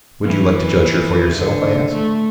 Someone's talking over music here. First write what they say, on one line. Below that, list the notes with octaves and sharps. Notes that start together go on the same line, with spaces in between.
"Would you like to judge for yourself?" I asked.
E3
D3
A3